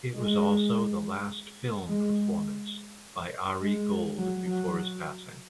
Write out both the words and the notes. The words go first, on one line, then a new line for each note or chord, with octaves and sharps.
It was also the last film performance by Ari Gold before his passing.
G#3
G#3
G#3
F#3
F#3